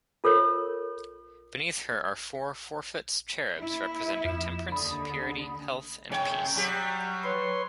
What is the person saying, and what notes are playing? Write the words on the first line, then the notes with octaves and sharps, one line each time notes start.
Beneath her are four four-foot cherubs representing Temperance, Purity, Health, and Peace.
F4 A4 A#4 C#5
A#3 E4
F2 E7
D#2 D3 B5 D#6
C#3 C#5 G5
F#3 G3 G4
B4 C#5 C6